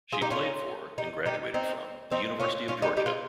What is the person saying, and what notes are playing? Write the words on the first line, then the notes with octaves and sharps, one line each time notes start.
She played for, and graduated from, the University of Georgia.
F4 G#4
D#4 G4
C#4 F4
D#4 G4
D#4 G4
C4 D#4
C4 D#4
C#4 F4
C#4 F4
D#4 G4
D#4 G4
F4 G#4